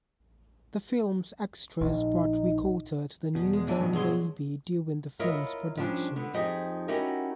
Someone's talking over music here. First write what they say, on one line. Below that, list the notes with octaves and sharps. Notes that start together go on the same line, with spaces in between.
The films extras brought riccota to the newborn baby during the films production.
A#1 D#4
E2 B2
G#3
A#2 E3 D4
G2 B2
F#3 G#4 C6
E4 F4 A#4 C#5 D#5 E5
F3 G3 C#4 D4
D3 B3
F2 F3 D#4 G4 G#4 D#5
C#4 D#4 E4 F#4 G4 A#4